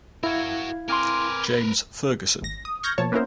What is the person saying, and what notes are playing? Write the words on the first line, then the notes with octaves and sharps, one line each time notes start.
James Fergusson.
E4 F#4 A#4 F5 G#6
C4 A#4 B4 G#5 C6 D6 F6
G#1 A#6
D#6
C#6 F6 G6 G#6 A#6
B2 F3 A#3 C#5 A5
A#3 B3 C#4 E4 A#4 C5